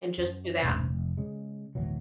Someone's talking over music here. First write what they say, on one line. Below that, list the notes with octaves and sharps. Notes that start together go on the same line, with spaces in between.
And just do that.
F#2
E1 A1 G2 C3
F1
C#3 G#3
D1 G1 E3 F#3